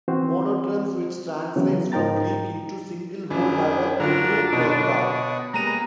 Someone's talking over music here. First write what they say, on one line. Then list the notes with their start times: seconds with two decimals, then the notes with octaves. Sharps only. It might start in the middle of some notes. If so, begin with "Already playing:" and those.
Monotremes, which translates from Greek into "single hole", have a true cloaca.
0.08 E3 C4 F#4 C5
1.56 C#3 E3 F#3 B3
1.92 G#2 D#4 A#4 G5 A#5 A6
3.30 F#2 D4 G#4 B4
4.00 D3 F#3 D4 F4 F#4 A#4 A#5
4.52 B2 C#5 D#5 B5
5.54 G3 G#3 A#3 B3 A#5 D#7